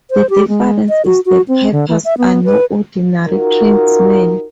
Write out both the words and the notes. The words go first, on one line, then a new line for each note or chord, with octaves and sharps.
The difference is the pipers are no ordinary tradesmen.
C5
G4
G#3
D#5
F#4
F#4
C4
D3
E3
E5
B3
B4
D#4 F4 F#4 A#4